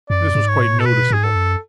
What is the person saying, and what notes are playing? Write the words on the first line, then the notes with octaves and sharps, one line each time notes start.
This was quite noticeable.
F#2 D5
G#2
C#5
A2
A4
B2 B4
G#2 G#4
A4
F#2